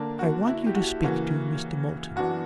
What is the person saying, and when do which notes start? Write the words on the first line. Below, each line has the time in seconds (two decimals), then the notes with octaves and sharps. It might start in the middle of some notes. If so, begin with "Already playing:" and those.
'I want you to speak to Mr. Moulton....
Already playing: D3 A#3 D4
0.19 F#4
0.47 E4
0.66 G4
0.75 F#4
1.04 C#3 E3 A#3 F#4
2.16 F#2 E3 B3 D4 F#4